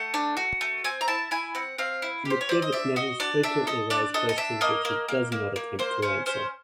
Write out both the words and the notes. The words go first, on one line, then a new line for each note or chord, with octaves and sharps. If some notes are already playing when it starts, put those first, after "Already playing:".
McDevitt's novels frequently raise questions which he does not attempt to answer.
Already playing: A3 F#5
D4
F#4
A3
C4 G#5
A#5
E4 A5
E4 G#5
C4 F#5
C4 F5
E4
G4
C5
C#5
C4 D5
D#5
D4 E5
F#4 D#5
D4 D5
D4 E5
A4 D#5
D4 D5
A4 D#5
D#5
D4 E5
A#3 D#5
A#3
A#3
A#3
A#3
A#3 C5
C#4 C5
C#4 C5